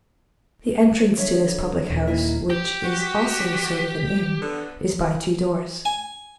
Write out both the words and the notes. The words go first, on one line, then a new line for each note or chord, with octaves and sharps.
The entrance to this public house, which is also a sort of an inn, is by two doors.
D3 C#5 E5
D#1
A#3 D#4 E4
G4
F#4
D3 B3
G#5